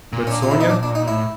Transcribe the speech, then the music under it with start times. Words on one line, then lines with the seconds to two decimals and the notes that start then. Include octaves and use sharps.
But Sonya?
0.13 A#2
0.27 C#4
0.32 D4
0.43 F4
0.51 E4
0.61 D#4
0.70 D4
0.83 D4
0.95 D#4
1.08 A2 E4